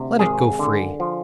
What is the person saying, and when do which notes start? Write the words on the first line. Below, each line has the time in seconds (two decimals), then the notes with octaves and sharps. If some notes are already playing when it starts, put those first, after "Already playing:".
Let it go free.'
Already playing: D2 C3
0.19 G#1 G#4
0.59 D3
1.00 F3